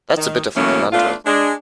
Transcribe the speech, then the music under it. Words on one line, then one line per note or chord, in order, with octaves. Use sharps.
That's a bit of a conundrum!
D#3
B2 E3 F#3 A3 A#3 C#4
A3 B3 D4 F4
G#3 D4